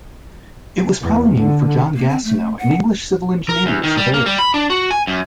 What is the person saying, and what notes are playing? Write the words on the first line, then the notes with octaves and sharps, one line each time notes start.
It was probably named for John Gastineau, an English Civil Engineer and Surveyor.
E2
D3
A#3
C4
A3
F#5
A#4
E2
D#3
G3
A#3
G3
B5
D4
F#4
G#5
F#2